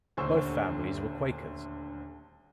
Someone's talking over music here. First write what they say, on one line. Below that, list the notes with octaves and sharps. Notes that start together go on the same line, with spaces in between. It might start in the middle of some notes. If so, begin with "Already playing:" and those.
Both families were Quakers.
D#1 D2 D3 C5 C#6 E6